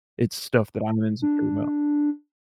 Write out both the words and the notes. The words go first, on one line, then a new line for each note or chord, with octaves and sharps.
It's stuff that I'm insecure about.
D4